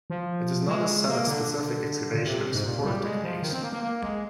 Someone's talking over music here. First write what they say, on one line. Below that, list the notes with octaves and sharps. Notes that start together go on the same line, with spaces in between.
It is not a set of specific excavation and support techniques.
F3
G#3
A#3
D3
A#2
C3
G#2
A#2
G3
G#3
F3
D#3
C4
A#3
A#3
A#3
G#3